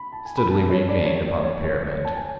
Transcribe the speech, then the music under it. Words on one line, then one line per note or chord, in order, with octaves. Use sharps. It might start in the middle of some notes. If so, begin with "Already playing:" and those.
Steadily we gained upon the pyramid.
Already playing: B5
A5
G#5
B5
A5
C#5
D5
C#5
C#5
D5
C#5
C#5
A5
G#5